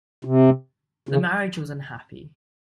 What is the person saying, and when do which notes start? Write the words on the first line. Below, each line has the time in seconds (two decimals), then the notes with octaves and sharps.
The marriage was unhappy.
0.25 C3
1.09 C#3